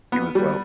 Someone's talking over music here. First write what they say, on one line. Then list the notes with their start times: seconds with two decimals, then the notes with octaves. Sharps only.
You as well.
0.12 B3
0.35 G3